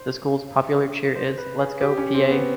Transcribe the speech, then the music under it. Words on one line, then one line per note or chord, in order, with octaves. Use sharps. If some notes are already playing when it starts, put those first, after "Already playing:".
The school's popular cheer is, Let's go, Peay!
Already playing: C5
C5
B4
G#4
G4
C#4
C4
B3